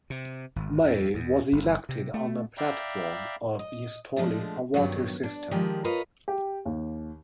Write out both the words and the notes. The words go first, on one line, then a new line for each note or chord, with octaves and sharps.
May, was elected on a platform of installing a water system.
C3
G#1
F2
E2
G1
C3
A3
D5 E5 F5 G5 A#5 B5
D#5
F3 G#3 A3 D4
G2 D#3 F#3 B3
D4
D#3 F3 G#3 G4 A#4 D5
F4 A#4 B4 C#5 D#5 F5
G4
D#2